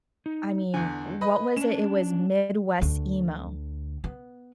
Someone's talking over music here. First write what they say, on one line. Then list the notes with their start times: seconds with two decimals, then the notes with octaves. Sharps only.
I mean, what was it, it was Midwest emo.
0.26 D#4
0.74 E2 D3 G#5
1.21 B4 D#5 B5
1.56 C#4 D4 E7
2.82 D2
4.04 B3